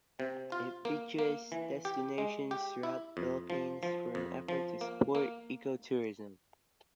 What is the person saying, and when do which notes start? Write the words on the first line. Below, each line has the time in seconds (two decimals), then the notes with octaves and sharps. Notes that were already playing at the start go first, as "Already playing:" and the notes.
It features destinations throughout the Philippines for an effort to support ecotourism.
0.20 C3
0.52 F4
0.85 A#3
1.19 A#3
1.52 E3
1.85 G4
2.18 G#3
2.51 G4
2.83 E4
3.17 F2
3.50 F3
3.83 F3
4.15 F2
4.48 F3
4.81 A#3
5.15 A#3